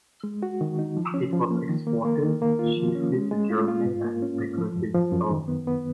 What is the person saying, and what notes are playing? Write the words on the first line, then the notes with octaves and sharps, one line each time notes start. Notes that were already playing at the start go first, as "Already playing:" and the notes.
It was exported chiefly to Germany as decorative stone.
G#3
F#4
D#3
D#4
F3
C#4
F3
A#3
D#3
A#3
A#3
D#3
A#3
F4
F3
C#4
G#3
G#3
F4
F4
G#2
A#3
C#4
G#2
F3
F#2
F3
F#2
D#3
B3
B3